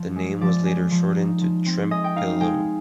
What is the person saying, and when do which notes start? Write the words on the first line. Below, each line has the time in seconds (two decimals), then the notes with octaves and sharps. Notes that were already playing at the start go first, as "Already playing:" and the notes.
The name was later shortened to Trempealeau.
Already playing: F3
0.16 G#3
0.41 F3 D5
0.66 G#3
0.91 F3
1.17 D#4
1.41 F3
1.66 C4
1.91 G#3 D#5
2.04 G5
2.16 D#4 F5
2.41 G#3 G5